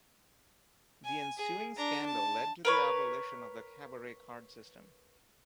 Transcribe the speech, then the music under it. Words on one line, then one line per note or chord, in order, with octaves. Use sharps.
The ensuing scandal led to the abolition of the cabaret card system.
G#5
G#4
D4 A#5
A5
A#4 B4 C#5